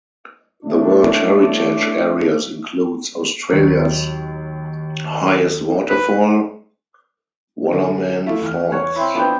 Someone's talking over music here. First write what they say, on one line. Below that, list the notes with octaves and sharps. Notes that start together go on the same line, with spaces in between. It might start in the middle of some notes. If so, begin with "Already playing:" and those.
The World Heritage area includes Australia's highest waterfall, Wallaman Falls.
A2 A3 D4
D#2 F#3
B4
D3
A3 E4 F4
E2 F6
C#5 F#5
C4 E4
F3 B3 D4 B4 C5 G5